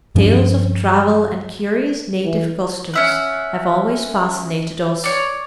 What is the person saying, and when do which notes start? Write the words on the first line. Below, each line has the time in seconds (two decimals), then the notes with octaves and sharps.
Tales of travel and curious native customs have always fascinated us.
0.15 G2 F3 C#4 D4
2.24 E3
2.94 C#4 E5 F#5
5.04 C#5 D5